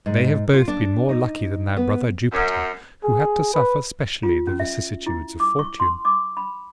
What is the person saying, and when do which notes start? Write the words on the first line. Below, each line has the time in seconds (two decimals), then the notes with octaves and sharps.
They have both been more lucky than their brother Jupiter, who had to suffer specially the vicissitudes of fortune.
0.06 G#2
0.53 F4
0.68 D4
1.09 D#4
1.77 B3
2.32 F#2
3.03 G#4
3.54 B4
4.23 F4
4.47 C#4
4.60 E5
5.06 E4
5.40 D6
5.59 C#6
5.80 C6
6.05 D6
6.37 B5